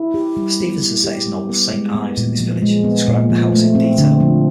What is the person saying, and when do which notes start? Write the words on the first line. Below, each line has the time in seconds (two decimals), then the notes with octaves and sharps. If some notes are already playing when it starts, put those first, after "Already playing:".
Stevenson set his novel "Saint Ives" in this village, describing the house in detail.
Already playing: E4
0.14 G4
0.37 G3
0.60 B3
0.82 E4
1.04 G4
1.28 G3
1.49 B3
1.73 G#3
1.94 B3
2.17 A#2
2.40 F3
2.62 G#3
2.84 B3
3.08 A#2
3.30 F3
3.52 A3
3.75 C4
3.98 D3
4.20 F3